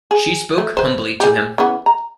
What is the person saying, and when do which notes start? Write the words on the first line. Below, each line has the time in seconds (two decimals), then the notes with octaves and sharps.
She spoke humbly to him.
0.11 G#4
0.58 A3
0.77 B4 C5
1.20 G4 G#4
1.58 C#3 E3 B3
1.86 A#5